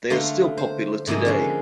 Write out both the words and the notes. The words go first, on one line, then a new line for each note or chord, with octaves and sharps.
They are still popular today.
D3 A3 F5 A#5 C6
C5
G#2 C3 F3 A#3 D#5
D3 G#3 C#4